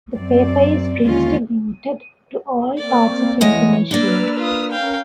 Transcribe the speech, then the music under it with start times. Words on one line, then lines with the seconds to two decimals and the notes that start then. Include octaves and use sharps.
The paper is distributed to all parts of Indonesia.
0.15 F#2 C4 D5
1.04 D#2 D3 G#3 C#4 F4
2.78 A#3 C4 D5
3.41 E2 E3 G#3 C#5 D#5
3.91 A#3 D4 B4 D5 E6 F6
4.38 F4 D#6
4.71 C#4 A#4 F5 G5